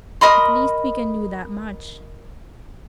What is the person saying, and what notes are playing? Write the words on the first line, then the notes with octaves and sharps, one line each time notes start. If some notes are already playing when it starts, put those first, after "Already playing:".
At least we can do that much.
A#4 D#5 B5 C6